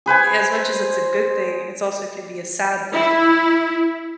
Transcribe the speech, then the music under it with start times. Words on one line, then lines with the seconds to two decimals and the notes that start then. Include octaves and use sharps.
as much as it's a good thing, it's also can be a sad thing
0.06 G#4 B4 C5 G#5
2.93 E4